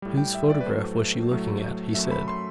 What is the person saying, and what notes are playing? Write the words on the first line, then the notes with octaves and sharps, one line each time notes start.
"Whose photograph was she looking at?" he said.
A2 G3
G5
E5
D5
B4
A2 F#3 A3 C5
A2 F#3 A3
F#2 F#3 A3 E5
B5
C6